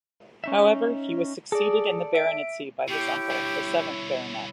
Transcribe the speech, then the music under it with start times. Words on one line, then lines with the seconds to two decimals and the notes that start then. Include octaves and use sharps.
However, he was succeeded in the baronetcy by his uncle, the seventh Baronet.
0.44 C#4 D#4 E5
1.52 G#4 A4 D5
2.15 E5 D7
2.88 B2 E4 G4 C#5
3.30 G2 B2